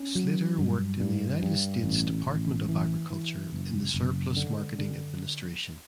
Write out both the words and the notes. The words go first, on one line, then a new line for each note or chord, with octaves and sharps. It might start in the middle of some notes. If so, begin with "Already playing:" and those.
Slater worked in the United States Department of Agriculture in the Surplus Marketing Administration.
Already playing: C#4
F#3
G2
G2
G2
A1
A1
E3
E3
F#1
F#1
D3
D3